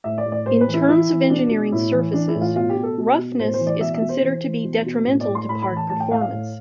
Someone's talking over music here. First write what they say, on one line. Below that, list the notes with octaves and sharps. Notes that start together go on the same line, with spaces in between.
In terms of engineering surfaces, roughness is considered to be detrimental to part performance.
A2 E5
D5
A2
D5
A2 C5
B4
E3
E4
E3 E4
E3
B2 D4
B2
A2 E4
E3
E3 D4
E4
A2
F4
B2 F4
G4
B2
A4
B2
B2
A2 C5
C5
E3
D5
B2 E5
E5
B2
C5
E3
E3
B2
B2
A2
D5
A2
C6
A2 B5
B5
E3
A5
A2 A5
G5
A2 F5
F5
A2